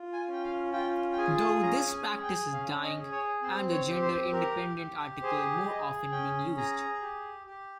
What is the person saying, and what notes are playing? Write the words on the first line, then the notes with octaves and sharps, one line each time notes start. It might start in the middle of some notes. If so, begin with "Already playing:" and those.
Though this practice is dying, and the gender-independent article more often being used.
Already playing: F4
G#5
C#4 G5
F5
F4 G5
G5
G#4 G#5
C#4 A#5
G#5
G#4
G5
C#4 F5
D#5
G#4
C#5
C4 C5
C#5
G4
C5
G4 A#4
G4
G#4 C5
G#4 D#5
C#4 G5
G#4 A#5
G4
G4